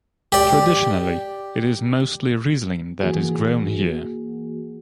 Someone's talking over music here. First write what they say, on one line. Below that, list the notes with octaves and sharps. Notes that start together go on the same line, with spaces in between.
Traditionally, it is mostly Riesling that is grown here.
G4 D5
E3 A#3 F#4 G#4